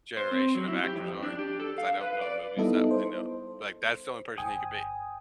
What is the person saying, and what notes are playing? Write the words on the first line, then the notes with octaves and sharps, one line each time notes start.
generation of actors are, 'cause I don't know movies that, you know, like, that's the only person he could be.
C5
C4
F#3
E4
G4
F2
D4
G4
A4
F5
B4
D5
G3 B3 D#4 E4 A4 D#5
C5
G1 G5 G#5 D#6